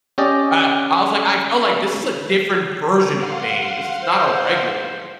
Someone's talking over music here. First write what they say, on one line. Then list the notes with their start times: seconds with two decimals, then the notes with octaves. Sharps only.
Ah, I was, like I felt like, this is a different version of Bane. This is not a regular Bane.
0.18 C#4 G4 D5 D#5
3.14 F5 F#5 C6
4.02 C5